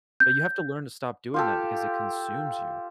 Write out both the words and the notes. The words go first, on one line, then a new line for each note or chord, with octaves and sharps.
But you have to learn to stop doing that because it consumes you.
G6
F4 G4 A4